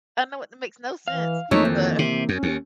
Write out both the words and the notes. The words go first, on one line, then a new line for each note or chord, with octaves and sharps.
I know it makes no sense, but
E3 F5
F2 E3 A3 A#3 D#4 E4 C#5
D#3 C4
C3
F#2 C#4
D#2